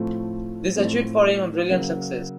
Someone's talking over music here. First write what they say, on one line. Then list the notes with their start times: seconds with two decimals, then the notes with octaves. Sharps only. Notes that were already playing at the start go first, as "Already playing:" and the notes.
These achieved for him a brilliant success.
Already playing: A2 F3 A3 C4
0.76 A2 F3 A3 C4
1.70 C#3 F#3 A#3